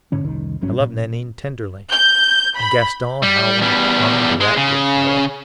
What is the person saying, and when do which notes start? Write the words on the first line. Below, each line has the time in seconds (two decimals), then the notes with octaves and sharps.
I loved Nanine tenderly; and Gaston, how one clung to that good fellow!
0.12 G#2 D3 C#4
0.24 F1 C2 D#3
0.61 G#1 G2 F#3 C#4
0.80 A#2
1.90 G6
2.58 B5
3.23 G3
3.61 E2 G3
4.41 G#3
4.57 C#3